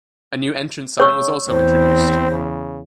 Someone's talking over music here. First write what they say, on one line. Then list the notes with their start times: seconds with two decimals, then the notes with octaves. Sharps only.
A new entrance sign was also introduced.
1.00 C#3 C#5 C#6 E6
1.49 E2 C4 C5
2.31 C#3